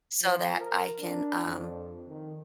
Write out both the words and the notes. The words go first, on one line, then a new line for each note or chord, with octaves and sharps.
so that I can, um
F3
A#4
D4
F2
D#3